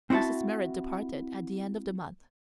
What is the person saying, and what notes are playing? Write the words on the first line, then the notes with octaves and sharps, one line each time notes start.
Mrs. Merrit departed at the end of the month.
C4 E4 F#4 E5 A5